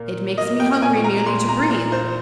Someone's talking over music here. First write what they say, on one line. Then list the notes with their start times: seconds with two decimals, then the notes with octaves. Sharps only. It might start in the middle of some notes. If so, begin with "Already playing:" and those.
It makes me hungry merely to breathe.
Already playing: A#2 A#3
0.37 A#3 D#5
0.60 G5
0.81 A#2 G#5
1.04 A#5
1.26 A#2 C6
1.48 A#5
1.70 A#2 A#5
1.92 C5